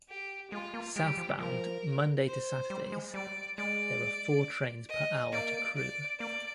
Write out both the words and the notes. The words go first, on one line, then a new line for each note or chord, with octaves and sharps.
Southbound Monday to Saturdays there are four trains per hour to Crewe.
G4
G#3 F4
A#3
G#3 G4
G3
F3
G3
F3 A#4
C5
G3
G#3
G3 D5
G#3 D5
D#5
A#3 D5
D5
A#3 D5